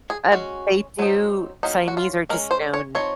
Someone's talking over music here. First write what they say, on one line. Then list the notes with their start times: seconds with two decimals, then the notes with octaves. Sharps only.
um, they do Siamese are just known
0.10 G#4
0.32 G#3 C#4 F#4
0.99 F#3 C4 D#4
1.63 F#3 A#3 C#4 D#4
1.88 F#4
1.97 F4
2.29 G#3 A#4
2.33 C#4
2.51 C5
2.74 C#5
2.95 F3 C4 D#4 C#5